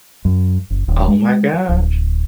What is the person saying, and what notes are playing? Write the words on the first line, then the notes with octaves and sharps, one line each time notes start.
Oh my gosh,
F#2
F#1
D#1
G#3
D1